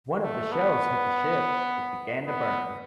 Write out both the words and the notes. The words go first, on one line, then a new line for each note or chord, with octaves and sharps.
One of the shells hit the ship, which began to burn.
A3
B3
B3